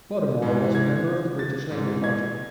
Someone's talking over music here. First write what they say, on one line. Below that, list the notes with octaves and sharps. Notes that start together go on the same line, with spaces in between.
Bottomore was a member of the British Labour Party.
G#2 E3
G#6
A6
G#2 E3
G#6